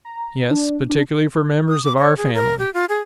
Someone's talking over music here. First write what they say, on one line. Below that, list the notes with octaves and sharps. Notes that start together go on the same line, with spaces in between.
"Yes. Particularly for members of our family."
A#5
D4
D4
D#6
D6
C#5
G#4
A#4
G4
F4
G#4